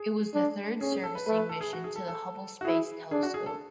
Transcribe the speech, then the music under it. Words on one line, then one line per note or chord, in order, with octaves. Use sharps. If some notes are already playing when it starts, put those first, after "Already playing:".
It was the third servicing mission to the Hubble Space Telescope.
Already playing: G#4
D4
C#4 G#4
G#4
A4
B4
A3 B4
B4
A4
G#4
F#4
G#4
A4
A4
F#4
E4 G#4
D4 G#4
F#4
G#4
A4